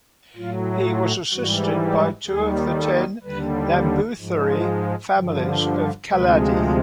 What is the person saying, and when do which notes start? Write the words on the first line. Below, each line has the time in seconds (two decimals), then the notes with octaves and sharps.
He was assisted by two of the ten Namboothiri families of Kalady.
0.36 A2 F#3 F4
0.84 F4
1.32 G#2 E3 G3 F#4
1.79 G4
2.27 D#2 D#3 G3 G#4
2.75 A4
3.23 D#2 D3 G3 B4
4.18 G#2 F3 G#3
5.14 G2 D3 F3
6.10 D2 C3 F3 G#3 B4